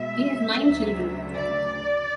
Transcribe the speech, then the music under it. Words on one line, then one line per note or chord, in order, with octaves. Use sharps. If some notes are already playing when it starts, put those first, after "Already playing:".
He has nine children.
Already playing: B2 G#3 E5
D2 C#3 F#3 A3
D5